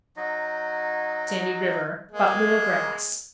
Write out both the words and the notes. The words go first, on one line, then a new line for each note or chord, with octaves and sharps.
Sandy River.--But little grass.
F#3 D#4 D#5
G#3 A#3